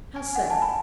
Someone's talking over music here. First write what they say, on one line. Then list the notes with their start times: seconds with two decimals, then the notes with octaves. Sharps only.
"How so?"
0.16 G#5
0.35 F#5
0.42 G#5
0.50 A5
0.62 B5